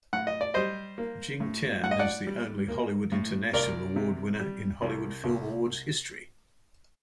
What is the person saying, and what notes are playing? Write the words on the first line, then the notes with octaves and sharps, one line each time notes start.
Jing Tian is the only Hollywood International Award winner in Hollywood Film Awards history.
A2 F#5
D#5
D5
G3 C5 D#5
A#3
A2
A2 F#5
D#5
D5 F#5
G3
A#3
A2
C2 A#4 D5
C3
G3
C2
C2